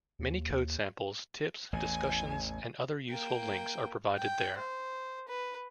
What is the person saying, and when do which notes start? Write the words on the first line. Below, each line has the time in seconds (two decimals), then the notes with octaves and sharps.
Many code samples, tips, discussions and other useful links are provided there.
0.19 D#2
1.73 A1 E2 A2 G#5
3.09 A#3 G5
4.18 G5
4.57 C5
5.28 B4